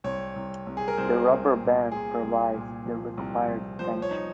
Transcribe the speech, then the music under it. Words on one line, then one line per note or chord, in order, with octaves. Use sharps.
The rubber band provides the required tension.
C2 C#5
C2
C2
G#4
A#4
C2 C5
C2
A#2
A#2 G#4
C2
A#2
F3
C2
C2
F3 C5
C#5
D#4